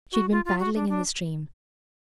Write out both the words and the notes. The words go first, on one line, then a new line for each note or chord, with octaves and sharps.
She'd been paddling in the stream.
F#4
F4
F4
F#4
D4
D4